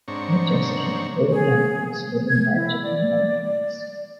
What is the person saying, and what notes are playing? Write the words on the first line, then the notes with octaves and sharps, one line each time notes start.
I just kept pulling out these little magical moments.
G#2 C4 D4 C#5 A#5 C#6
G#4
G#6
E4
D5